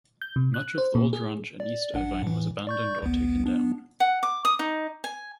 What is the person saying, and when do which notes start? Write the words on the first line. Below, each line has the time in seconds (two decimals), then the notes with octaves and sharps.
Much of the old Ranch in East Irvine was abandoned or taken down.
0.22 G6
0.36 C3
0.54 F#6
0.78 C5
0.95 A#2
1.13 G#4
1.60 D5
1.94 A1 D4 F#5
2.23 A2 E3
2.67 D5 C#6 G6
3.02 A1 D2 B3
3.46 B3 D4
4.00 F#5
4.23 D6
4.45 D#6
4.59 D#4
5.04 G#5